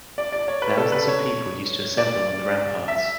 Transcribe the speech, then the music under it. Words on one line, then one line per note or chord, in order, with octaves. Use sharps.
Thousands of people used to assemble on the ramparts.
D5
D5
C#5
B4
A4
B4
C#5
D5
E5